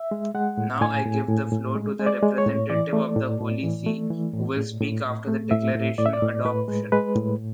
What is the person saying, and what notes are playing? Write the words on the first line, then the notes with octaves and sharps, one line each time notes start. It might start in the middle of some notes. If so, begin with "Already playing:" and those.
Now I give the floor to the representative of the Holy See, who will speak after the Declaration adoption.
Already playing: E5
G#3
G#3 F#5
A2
A2 G#5
A2
A2
A2
G#3
G#3
D5
G#3
C#5
A2
E3 D5
A3
A2
A2
E3
A3
E3
A2
A2
A2
A2
A3
A2 E5
A2
A2 D5
E5
D5
A2
A2 B4
G#3
G#3 B4
A2